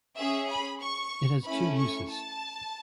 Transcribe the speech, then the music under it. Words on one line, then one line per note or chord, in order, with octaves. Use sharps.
It has two uses.
C#4 G#4 E5
B5
C#6
A3 C#4 E4 B5
C#6
A5